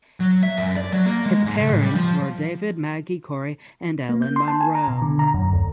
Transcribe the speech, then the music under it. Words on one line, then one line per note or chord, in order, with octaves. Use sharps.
His parents were David Magie Cory and Ellen Monroe.
F#3
E5
F#2
D5
F#3
A#3
G#3
G#2
C#2
A2
G3
F3
A#3
G6
C6
A5
G#5
A#5
B2
D3
A#5
F#2
D2